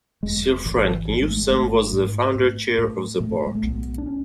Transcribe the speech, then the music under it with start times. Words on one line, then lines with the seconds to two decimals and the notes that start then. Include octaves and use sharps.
Sir Frank Newsam was the founder chair of the board.
0.23 E1 G#3
0.65 G#1 E3
0.94 E3
1.08 G#1
1.22 G#3
1.29 A3
1.37 G#3
1.50 G#1 A3
1.93 G#2
2.36 A2
2.78 A2
3.20 A2 A3
3.46 G#3
3.55 A3
3.63 B1 B3
3.98 D4
4.06 C#4